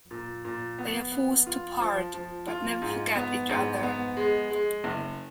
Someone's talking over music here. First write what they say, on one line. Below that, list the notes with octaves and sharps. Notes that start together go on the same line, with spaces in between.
They are forced to part, but never forget each other.
A#2
A#2
B3
B3
F4
F3
F3
F4
G#2
B3
G#2
B3
G#3
G#3
F#1